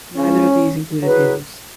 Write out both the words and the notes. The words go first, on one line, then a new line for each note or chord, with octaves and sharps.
Neither of these included hymns.
C#3 G#3 C#4 E4
F#3 E4 G#4 B4